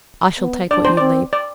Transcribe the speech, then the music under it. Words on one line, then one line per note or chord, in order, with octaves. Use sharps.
I shall take what you leave.
B3
D4 D5
C5
C4 D5
D5